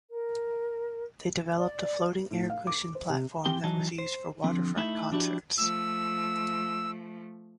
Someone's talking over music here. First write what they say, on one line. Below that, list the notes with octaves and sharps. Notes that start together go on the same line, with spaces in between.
They developed a floating air cushion platform that was used for waterfront concerts.
A#4
D5
A2
F5
D6
C5
C3
E3 C4 G4 G5
E3 F#3 D#4 A5
C5
D3 F3 C4
A3 D#4 E4 E5
F3 D4 E4 F#4 G4 D5
F3 A3 E6